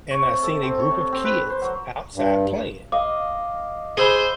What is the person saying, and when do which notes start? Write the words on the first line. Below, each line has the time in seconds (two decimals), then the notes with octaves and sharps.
and I seen a group of kids outside playing,
0.11 C#5
0.22 C3
0.43 A4
0.63 C4
0.79 C#5
0.91 C3
1.13 C4
1.25 B4
1.50 C5
1.62 F#3
2.16 G2
2.92 D#5 F5 D6
3.97 G#4 C5 B5 E6 G7